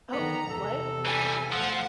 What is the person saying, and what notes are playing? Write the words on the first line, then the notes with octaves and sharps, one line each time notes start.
Oh what?
D3 D#3 B3 A#5
E2 C3 A4
E3 G3 G#5
D2 B2 F3 F#5